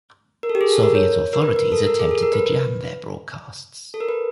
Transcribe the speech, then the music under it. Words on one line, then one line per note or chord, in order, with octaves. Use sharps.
Soviet authorities attempted to jam their broadcasts.
A#4
A4
G4
G#4
A4
A#4
C#5
A#4
B4
A#4
A4
A#4
G#4
A4
A#4
B4
A4
A#4
B4